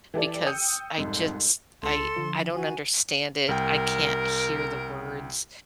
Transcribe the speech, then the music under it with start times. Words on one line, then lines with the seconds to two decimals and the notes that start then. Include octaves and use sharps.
because I just, I I don't understand it. I can't hear the words,
0.14 E3 G4 A4 D5
0.46 G5 D#6 E6 G6 C#7 D#7
0.98 C2 F2 G#2
1.83 C#2 A4 C6
2.16 D3 F3
2.54 F#4 G#5
3.49 C2 A#4 G5